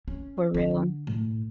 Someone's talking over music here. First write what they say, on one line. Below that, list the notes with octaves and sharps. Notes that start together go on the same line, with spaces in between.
for real.
C#4
D3
A2